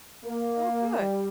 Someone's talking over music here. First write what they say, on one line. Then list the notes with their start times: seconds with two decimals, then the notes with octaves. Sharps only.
Oh, good.
0.24 A#3
0.97 G3